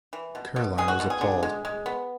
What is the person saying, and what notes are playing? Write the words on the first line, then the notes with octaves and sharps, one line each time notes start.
Caroline was appalled.
E3
B2
B2
B2 G#4
F#4
B2
G#4
D3
G#3
G#3
B3